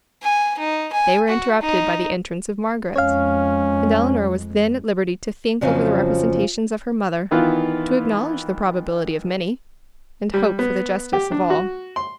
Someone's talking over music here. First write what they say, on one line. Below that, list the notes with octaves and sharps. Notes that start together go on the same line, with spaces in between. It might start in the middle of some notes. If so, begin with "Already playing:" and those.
They were interrupted by the entrance of Margaret; and Elinor was then at liberty to think over the representations of her mother, to acknowledge the probability of many, and hope for the justice of all.
G#5
D#4
G#5
F#4
D#4
F2 G#3 C#4 C#5 F5
F2 C#3 F3 F#3 G#5
D#3 E3 B3 F4
G3
B3
G4
D4
F#4
C6